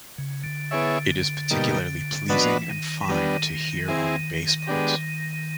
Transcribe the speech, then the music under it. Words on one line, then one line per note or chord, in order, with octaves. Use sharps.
It is particularly pleasing and fine to hear on bass parts.
C#3
D3
B3 E4 G#4 C#5 E5
B2 G3 A#3 D#4
E3 B3 D4 F#4 B4 D#5
F3
E3
D#3
E3
D#3 G3 B3 D4
C4 E4 G#4
G#3 B3 D4 G4